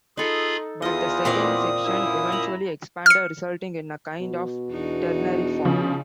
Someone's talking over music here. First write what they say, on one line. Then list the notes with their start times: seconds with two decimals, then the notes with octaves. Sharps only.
But the second section eventually expanded, resulting in a kind of ternary form.
0.17 D#4 F4 G#4 A4 B5
0.82 E2 F4 D#5 D#6
1.25 A#2 C4 D5 D#5 F5
1.85 F#2 E4
2.32 A#5 B5
3.06 F6 C#7
4.21 B2
4.71 E2 D4 D#4 F#4
5.65 C#3 F3